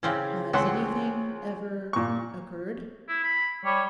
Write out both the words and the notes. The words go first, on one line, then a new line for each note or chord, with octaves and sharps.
'Has anything--ever--occurred?'
C#3 E3 C4 C#4
C#2 E3 C4 F#5 C6
A#2 C#6
E4
B5
G3 C#5